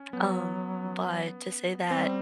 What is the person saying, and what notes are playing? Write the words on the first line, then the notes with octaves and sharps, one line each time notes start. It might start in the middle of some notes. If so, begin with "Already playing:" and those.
Um, but to say that
Already playing: C#4
F#3 B3
G3 C4